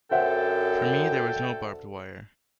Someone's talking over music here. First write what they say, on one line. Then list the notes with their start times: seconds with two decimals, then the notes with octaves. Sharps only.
For me there was no barbed wire.
0.11 F#2 D3 F#4 A4 C5 E5 F#5 G5